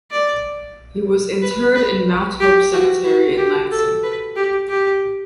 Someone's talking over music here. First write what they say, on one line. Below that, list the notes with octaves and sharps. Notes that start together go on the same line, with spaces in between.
He was interred in Mount Hope Cemetery in Lansing.
D5
B4
B4
G4
F#4
F#4
G4
A4
B4
G4
G4